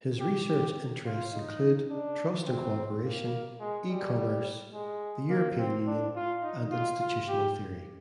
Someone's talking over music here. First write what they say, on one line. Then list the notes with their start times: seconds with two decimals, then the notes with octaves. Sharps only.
His research interests include, trust and co-operation; E-commerce; the European Union; and institutional theory.
0.20 G4
0.49 G4
1.06 F4
1.33 D#4
1.90 D4
2.47 C4
3.04 A#3
3.60 G#3
3.88 G3
4.74 G#3
5.30 A#3
5.58 C4
5.87 D4
6.15 F4
6.43 D#4
6.71 F4
7.00 F4
7.28 G4